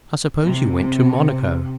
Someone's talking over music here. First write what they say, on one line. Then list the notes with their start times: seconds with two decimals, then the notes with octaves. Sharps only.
"I suppose you went to Monaco?"
0.44 C3